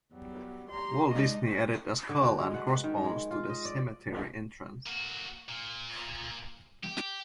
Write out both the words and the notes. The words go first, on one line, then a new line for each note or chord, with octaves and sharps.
Walt Disney added a skull and crossbones to the cemetery entrance.
E2 F#3 G3
G4 A#5 C6
G#3 D4 D#4 D#5
D3
F#4
G#3
F#5
B4
D#3
G#3
F4
D#5
D5
A#2 F#4
A#2
G4